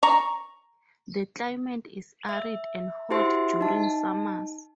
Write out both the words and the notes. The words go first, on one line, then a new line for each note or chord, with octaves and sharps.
The climate is arid and hot during summers.
A#5 C#6
E5
E4 F#4 G4 C5 E5 C6
D#4 A5